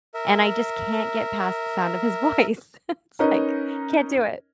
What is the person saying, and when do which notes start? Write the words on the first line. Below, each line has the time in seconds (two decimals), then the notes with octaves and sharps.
and I just can't get past the sound of his voice." It's, like, can't do it.
0.14 A#4 E5
3.19 C#4 D#4 A#4 B4 C#5 D#5